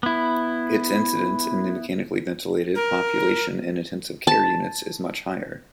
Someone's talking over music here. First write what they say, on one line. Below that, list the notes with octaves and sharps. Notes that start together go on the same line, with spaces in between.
Its incidence in the mechanically ventilated population in intensive care units is much higher.
B3 E4
A#4
A5